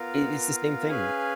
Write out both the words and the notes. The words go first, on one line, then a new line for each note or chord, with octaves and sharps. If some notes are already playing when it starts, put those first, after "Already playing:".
It it's the same thing.
Already playing: B3 F4 A#4 F5
C#4 G#4 B4 F5 G#5